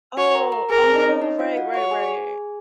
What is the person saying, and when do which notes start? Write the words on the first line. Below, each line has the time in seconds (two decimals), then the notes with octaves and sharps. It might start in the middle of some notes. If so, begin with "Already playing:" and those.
Oh. Oh, right, right, right.
0.17 F#4 C#5 F#5
0.35 A#4 A#5
0.52 A#4 A#5
0.70 G#4 A#4 G#5
0.83 C4 C5
0.95 D#4 D#5
1.09 C#4 C#5
1.22 D#4 D#5
1.39 F4 F5
1.57 F#4 F#5
1.74 F#4 C#5 F#5
1.91 G#4 G#5
2.09 G#4 G#5